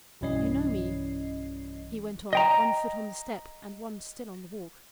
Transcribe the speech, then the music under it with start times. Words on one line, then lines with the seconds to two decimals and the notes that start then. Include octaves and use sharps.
"You know me?" he went on, one foot on the step and one still on the walk.
0.21 B1 G2 E3 C#4 D#5 C7
2.33 D#5 G5 A#5